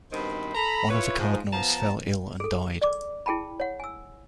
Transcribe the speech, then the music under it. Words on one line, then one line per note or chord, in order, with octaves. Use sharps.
One of the cardinals fell ill and died.
G2 B2 D#3 C4 C5 B5
A4 A#5 B5
E4 F4 B4 C#5
G#2 F3
F3 B3 A5 A#5
G#4 A4
D5 D6
E4 G#4 G5 A5 B5
C#5 F#5
G#5 E6